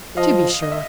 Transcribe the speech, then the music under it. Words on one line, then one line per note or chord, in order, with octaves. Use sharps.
'To be sure!
F3 D#5 F5
D#5
E5